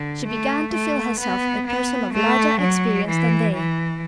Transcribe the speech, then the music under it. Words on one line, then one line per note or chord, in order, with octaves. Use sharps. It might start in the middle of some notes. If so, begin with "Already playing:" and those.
She began to feel herself a person of larger experience than they.
Already playing: D3
A3
A3
B3
B3
A3
F#3
E3
E3